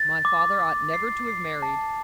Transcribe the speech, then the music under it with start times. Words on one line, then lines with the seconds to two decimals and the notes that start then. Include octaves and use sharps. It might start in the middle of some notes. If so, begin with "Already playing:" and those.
My father ought never to have married.
Already playing: A6
0.25 D6
0.59 D6
0.93 C7
1.28 C7
1.62 A5